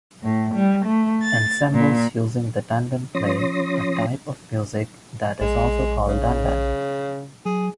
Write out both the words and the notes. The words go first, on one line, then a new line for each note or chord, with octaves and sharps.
Ensembles using the dundun play a type of music that is also called "dundun".
A2
G3
A3
A6
A#2
F3 C#4 C#5 C6 D#6 A#6
A#1 G#3
C#3
F#3 G#4